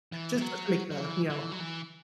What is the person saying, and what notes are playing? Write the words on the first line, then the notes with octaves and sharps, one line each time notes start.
just just to make the, you know,
E3
E3
F#3
F#3
E3
E3
F#3
E3